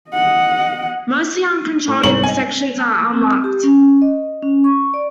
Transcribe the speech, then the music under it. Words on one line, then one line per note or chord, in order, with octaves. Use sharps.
Mostly, uncontrolled intersections are unmarked.
D#5 F#5
A2
C2 G#2 C#5 F#7
G#5
A5
C4
G4
C#4
D#5
C#4
C#6
D5